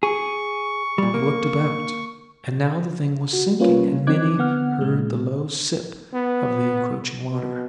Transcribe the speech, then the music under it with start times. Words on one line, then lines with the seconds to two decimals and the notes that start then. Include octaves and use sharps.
They looked about, and now the thing was sinking, and Minnie heard the low sip of the encroaching water.
0.03 G#4 C#6
0.98 A#2 G3
1.14 A#3
3.33 F#4
3.59 G3 A#3 C#4 F4 B4 C#5
4.07 F3 C4 D#4 D6 F#6 G#6
4.38 D3 B3 F#5 F6
4.81 A#2 G#3
6.14 B3
7.32 B2